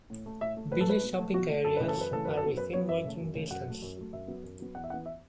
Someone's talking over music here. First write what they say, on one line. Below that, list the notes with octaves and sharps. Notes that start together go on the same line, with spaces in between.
Busy shopping areas are within walking distance.
A2
A3
A2 E5
A3
A2 B4
A4
A3 B4
B2
A3
B2 F#4
A3
F#2 A4
C#3 E3 A3 B4
A4
F#2
B4
C#3 E3 A3 A4
F#2 B4
A4
F#3 B3
F#2 B4
F#3 B3 C#5
F#2 E5
C#3 A3
F#2
C#3 A3
F#2 F#5
F#3 A3
F#2
F#3 A3
F#2 E5
F#3 B3
F#2
F#3 B3
E2 F#5
E5
E3 B3 F#5
E5